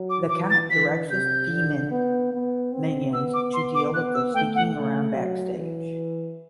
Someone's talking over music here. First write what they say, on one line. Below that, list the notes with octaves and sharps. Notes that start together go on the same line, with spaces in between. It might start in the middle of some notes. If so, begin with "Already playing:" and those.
The Count directs his demon minions to deal with those sneaking around backstage.
Already playing: F#3
D6
E3 D6
A6
E3 B6
C3 G6
D3
B3
B3
C4
B3 E6
D6
C6
D6
B3 F#6
E6
A3 G5
F#5
A3
F#3
E3